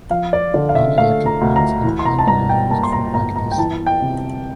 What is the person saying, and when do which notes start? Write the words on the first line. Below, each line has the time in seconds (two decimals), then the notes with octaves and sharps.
Nonelectric ones are primarily used for practice.
0.10 F3 F5
0.33 D5
0.54 D3 D5
0.69 F5
0.75 E5
0.98 A3 F5
1.26 A#5
1.41 D2
1.56 A#5
1.84 E3
1.99 C6
2.05 A#5
2.19 A5
2.27 G2 A#5
2.49 G5
2.71 A#3 A5
2.83 C6
2.92 A#5
3.14 G1 A#5
3.36 A#5
3.52 G5
3.58 E3 A5
3.86 G5
4.01 C3